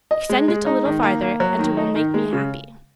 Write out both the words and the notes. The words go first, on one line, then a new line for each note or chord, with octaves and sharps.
Extend it a little farther, and it will make me happy.
D#5
G#3
G#3
D#4
D#3
A#3
A#3
F#3
D#3
D#4
D#3
G#3
C#3